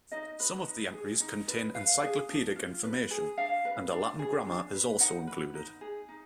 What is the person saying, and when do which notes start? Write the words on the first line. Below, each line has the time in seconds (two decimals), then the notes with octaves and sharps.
Some of the entries contain encyclopedic information, and a Latin grammar is also included.
0.12 D#4 D#5
0.40 B4
0.67 D#4
0.94 G#4
1.20 D#4
1.47 B4
1.74 B4 F5
2.03 G#4
2.29 D4
2.56 F4
2.84 B4
3.11 G#4
3.38 D4 F5
3.65 B4
3.92 D4
4.19 G#4
4.47 D4
4.73 B4
5.00 D#4 F#5
5.27 B4
5.55 D#4
5.81 G#4
6.09 D#4